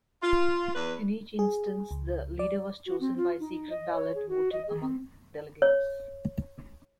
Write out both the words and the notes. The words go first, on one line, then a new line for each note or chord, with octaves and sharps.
In each instance, the leader was chosen by secret-ballot voting among delegates.
F4
E2 B4
G#4
C#2
D5
F#4
C4
F4
D#4
D#4
D#5
C#5
G#4
F#4
D#5
G#4
C4
C#5